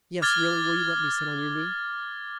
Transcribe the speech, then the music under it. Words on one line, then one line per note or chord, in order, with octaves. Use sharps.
Yes, really, will you let me sit on your knee?
D6 F6 G#6 A6 G7